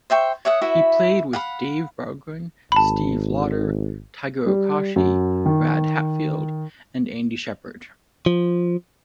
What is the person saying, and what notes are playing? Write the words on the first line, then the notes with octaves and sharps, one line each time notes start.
He played with Dave Bargeron, Steve Lodder, Tiger Okoshi, Brad Hatfield, and Andy Sheppard.
C5 E5 G5 C#6
C#5 E5 F#5 D#6
E4 F#4 B4 E5
F5 F#5 B5
G#1 A5 B5
G3
F#2
D#3
F3